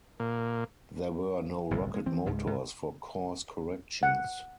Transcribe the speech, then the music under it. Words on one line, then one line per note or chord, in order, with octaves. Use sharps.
There were no rocket motors for course corrections.
A#2
G1 C2 A2
G#3
E3 C4
C#2 G#2
G#2
F#5